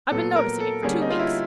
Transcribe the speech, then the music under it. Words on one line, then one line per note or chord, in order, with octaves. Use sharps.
I've been noticing it for two weeks.
A#2 F#3 B3 A4
A#4
A4
D3 G3 A#3 C#4 G#4
D#4
F4
E4